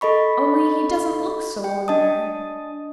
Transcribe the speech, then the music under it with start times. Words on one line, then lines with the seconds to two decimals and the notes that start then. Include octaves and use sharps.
Only he doesn't look so ordinary.
0.01 A4 D#5 B5 C#6
1.64 G5
1.88 D4 D#5 A5 D#6